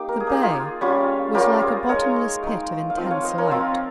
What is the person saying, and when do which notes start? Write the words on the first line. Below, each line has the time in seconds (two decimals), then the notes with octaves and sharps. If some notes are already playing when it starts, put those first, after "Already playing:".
The bay was like a bottomless pit of intense light.
Already playing: A#3 D#4 G4
0.09 A#4
0.20 G#4
0.27 A#3 D#4 G4
0.43 F4 G#4
0.81 G3 C#4 F4
1.35 G3 C#4 F4 G4 A#4
1.62 G#4 C5
1.89 G#3 D#4 A#4 C#5
2.43 G#3 D#4 D#5 G5
2.90 F5
2.97 F3 C4 F4 D#5 G5
3.10 C#5 F5
3.24 C5 D#5
3.38 A#4 C#5
3.51 F3 C4 F4